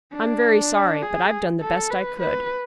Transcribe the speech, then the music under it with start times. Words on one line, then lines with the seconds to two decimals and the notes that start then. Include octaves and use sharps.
"I'm very sorry; but I've done the best I could."
0.13 D4
1.02 G#4
1.61 A4
1.90 B4
2.20 B4